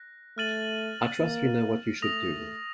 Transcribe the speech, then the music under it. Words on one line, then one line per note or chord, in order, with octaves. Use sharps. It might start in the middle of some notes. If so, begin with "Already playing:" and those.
I trust you know what you should do.
Already playing: F#6 A#6
A3 F6 A6 D#7 F#7
A#3
A3 D#6 A#6 F7